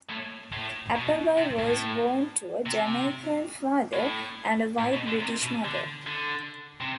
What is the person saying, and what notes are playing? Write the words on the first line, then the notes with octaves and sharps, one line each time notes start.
Appleby was born to a Jamaican father and a white British mother.
A2
A2
B2
C3
A2
C3
A2
A2
B2
D3
C3
B2
D3
D3
C3